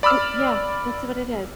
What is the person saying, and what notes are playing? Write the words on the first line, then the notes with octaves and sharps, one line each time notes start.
Uh, yeah, that's what it is.
D5 B5 D6 E6 F6